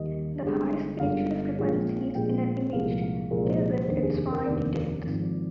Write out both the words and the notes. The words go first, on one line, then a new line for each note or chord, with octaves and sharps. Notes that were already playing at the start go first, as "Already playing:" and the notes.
The high spatial frequencies in an image give it its fine details.
Already playing: D#2 D#3 G3 D#5
G1 G2 D3 G#3
G1 G2 D3 G#3 F5
A#1 A#2 G#3
A#1 A#2 G#3 G5
C2 A#2 F3 G#3 F5
F5
C2 A#2 F3 G#3 A#4
C5
G#4
C5
F1 D#2 D3 C5
G#4
G#4
A#4
F1 D#2 D3 D5
G#1 G#2 F3